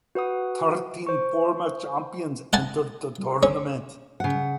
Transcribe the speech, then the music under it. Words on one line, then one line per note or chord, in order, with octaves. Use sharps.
Thirteen former champions entered the tournament.
F#4 B4 F#5 D#6
C5 C#6
F#5 G#5 A5
C#4
C#3 F#5